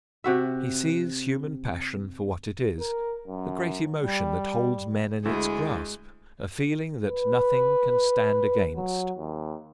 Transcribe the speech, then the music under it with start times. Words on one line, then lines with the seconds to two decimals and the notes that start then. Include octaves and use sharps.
He sees human passion for what it is, a great emotion that holds men in its grasp, a feeling that nothing can stand against.
0.24 C3 F#4 E5
2.79 A#4
3.27 F#2
4.01 G3
5.25 D2 G#3 E4
7.07 B4
8.76 F#3
9.18 D#2